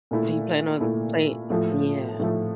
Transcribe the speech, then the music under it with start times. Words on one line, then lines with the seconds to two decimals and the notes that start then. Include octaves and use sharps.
Do you plan on play yeah,
0.11 A#2 A3 E4
0.80 A#2 A3 E4
1.50 A2 F3 A3
2.19 A2 F3 A3